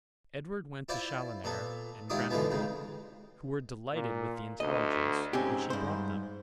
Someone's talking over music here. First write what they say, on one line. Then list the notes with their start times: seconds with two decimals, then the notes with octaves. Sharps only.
Edward went to Chaloner and Grenville, who were delighted with the intelligence which he brought them.
0.89 E4 F4 C5 D5
1.44 A#2 B3 A4
2.10 D#2 G#2 E4 F4 D5 D#6
2.30 B2 D3 E3 F3 G#3 B3
2.51 F2 G#2 C#3
3.93 A#2
4.60 D2 D#5
5.33 G#2 C4 C#4 G4
5.70 G2 C5